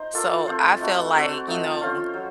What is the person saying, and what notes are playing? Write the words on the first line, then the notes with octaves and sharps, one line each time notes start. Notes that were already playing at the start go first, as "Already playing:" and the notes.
So I felt like, you know,
Already playing: D#4 C5
A#3 F4 A4
A3 C4 F4 C5
A3 D#4 F#4
C4 F#4 A4 C5
F3 A3 C4 D#4
C#4 F4 C5 F5
F#3